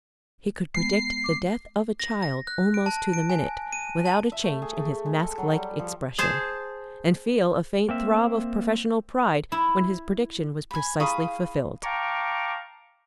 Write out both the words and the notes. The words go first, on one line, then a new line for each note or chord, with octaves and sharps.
He could predict the death of a child, almost to the minute, without a change in his mask-like expression, and feel a faint throb of professional pride when his prediction was precisely fulfilled.
G#3 B3 C7
D6
A#6
A#6
F#6
D7
A5
D7
G#5
D#7
A5
E5
A3
G#4
A3
G#3
A4
F#3
G3
F3
G#4 C5 A5
A#3 C4 E5
E4
G#5 B5
E4 G#4 F5 B5 C#6 D#6
F5 G5 A5 A#5 C#6 D6